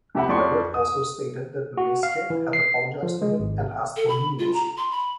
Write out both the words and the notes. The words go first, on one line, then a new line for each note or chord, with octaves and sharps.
Weber also stated that Meeske had apologized to him and asked for leniency.
F2 C3 G4 E5 F#5 B5
F2 D5 C6 C#6
D#6
F#4
F5
E3
C7
F3
G#3
G#1
A4
B5
F4
A#5
C6
B5